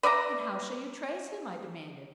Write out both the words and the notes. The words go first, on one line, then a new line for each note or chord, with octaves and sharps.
"And how shall you trace him?" I demanded.
B4 D5 E5 A#5